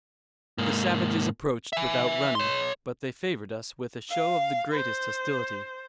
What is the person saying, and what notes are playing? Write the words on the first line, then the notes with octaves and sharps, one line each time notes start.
The savages approached without running, but they favored us with a show of the greatest hostility.
G#2 A#3
E5 G#5
C#5 C6
F5
C5